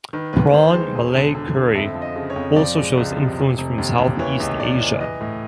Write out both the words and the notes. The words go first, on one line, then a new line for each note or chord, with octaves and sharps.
Prawn malay curry also shows influence from South East Asia.
D#3 B4
D#2 B4
D#2 C5
G#3 C5
E1
D3
D3
D3
F2 E5
F3
D#5
C#3
C#5
F2
F3 D5
G#3
C#2
C3
F1
F1
D#2
D#2
E3 C#5
C#2
C#2 D5
E3
E3 D#5
A2